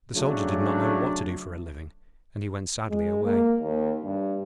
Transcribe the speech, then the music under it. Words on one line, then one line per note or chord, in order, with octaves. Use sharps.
The Soldier did not know what to do for a living, and he went sadly away.
C#3 F#3 A3 D4
G#3
A#3
D#2
G2